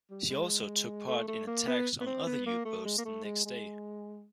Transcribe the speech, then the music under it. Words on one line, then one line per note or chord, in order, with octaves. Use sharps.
She also took part in attacks on other U-boats the next day.
G3
G#3
A3
A3
A#3
B3
B3
C4
B3
A#3
A3
G#3
A#3
A3
G#3
G#3